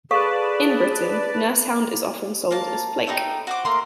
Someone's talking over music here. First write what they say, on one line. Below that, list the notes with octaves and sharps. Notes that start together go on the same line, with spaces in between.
In Britain, nursehound is often sold as flake.
G#4 A4 B4 D5 F5 A5 C#6
A#3 A5
A3 B3 D#4 G4
F#4 C5 D6
A3 A#3 A#5 C6